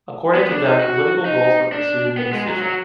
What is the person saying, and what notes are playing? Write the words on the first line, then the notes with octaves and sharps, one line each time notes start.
According to them political goals were pursued in the decision.
B3
D4
D#4
F#4
D#4
D4
B3
G#3
F#3
F#3